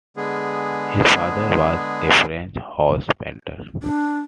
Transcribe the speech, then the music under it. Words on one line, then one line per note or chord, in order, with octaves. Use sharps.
His father was a French house painter.
D3 G#3 B3 G#4
D4